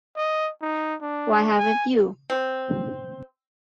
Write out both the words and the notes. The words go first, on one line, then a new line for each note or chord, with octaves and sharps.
Why haven't you?
D#5
D#4
D4
G#5
C4